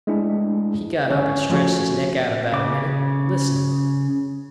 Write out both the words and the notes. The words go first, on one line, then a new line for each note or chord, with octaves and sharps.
He got up and stretched his neck out about a minute, listening.
G#3 A3 D4 E4 G#4
D3 C#4
F3 A3 C#4 F#4 C#5
C#3 D6